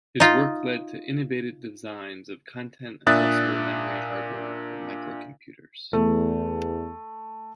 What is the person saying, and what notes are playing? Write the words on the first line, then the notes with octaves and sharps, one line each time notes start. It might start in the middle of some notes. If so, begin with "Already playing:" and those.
His work led to innovative designs of content-addressable memory hardware for microcomputers.
D#4 F4
A#2 D4 E5 D#6 F#6 A6
E2 A3